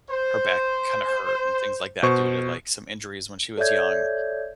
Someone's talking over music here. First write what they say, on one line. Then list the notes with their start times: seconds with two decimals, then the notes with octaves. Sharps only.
her back kinda hurt and things like that due to, like, some injuries when she was young,
0.10 C5
2.03 B2 C5 C#6
3.58 A4 C#5 D5 E5 G6 G#6